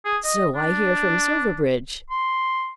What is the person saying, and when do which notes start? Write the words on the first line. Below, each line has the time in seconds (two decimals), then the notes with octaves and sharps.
"So I hear from Silverbridge."
0.05 G#4
0.24 D#5
0.56 D4
2.10 C6